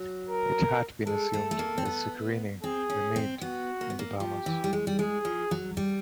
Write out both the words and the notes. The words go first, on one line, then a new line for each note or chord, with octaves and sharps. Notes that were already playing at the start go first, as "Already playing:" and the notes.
It had been assumed that Zuccarini remained in the Bahamas.
Already playing: F#3
A#4
G#3 A4
A3
A3
A#3
C4
B3
C4 G#4
C#4
C4
B3 F#4
A#3
B3
A#3
F3 G4
E3
G3
G#3
G3
G#3 G#4
F3
F#3
G3